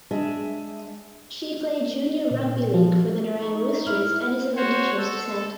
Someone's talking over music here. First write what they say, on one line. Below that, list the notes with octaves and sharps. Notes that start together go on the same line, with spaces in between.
She played junior rugby league for the Nerang Roosters and is of Indigenous descent.
G#3 D4 G#4 E5
A#2
F3
D#4 C#6
E4 F6
F#4 C5 C#5
A4